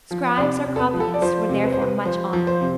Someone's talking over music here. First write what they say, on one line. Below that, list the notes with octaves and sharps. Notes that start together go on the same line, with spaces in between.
Scribes or copyists were therefore much honoured.
F3
C3 D5
C3
A4
B4
F3
A4
D5
F3 C5
C3
B4
C5
C3 B4
F3 C5
F3
C5
C3